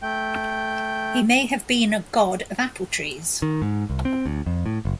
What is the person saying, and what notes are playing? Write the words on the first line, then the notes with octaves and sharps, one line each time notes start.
He may have been a god of apple trees.
A3 G5
D#3
G#2
C2
C4
D2
F2
A2
F#1